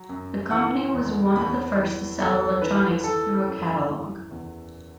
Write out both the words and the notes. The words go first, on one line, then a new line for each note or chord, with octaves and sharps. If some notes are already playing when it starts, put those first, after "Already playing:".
The company was one of the first to sell electronics through a catalog.
Already playing: F#3
F#2
E3 F#5
E2
E2 B5
E3
E2 A4
E3 B4
E3 A4
F#2
E3
E2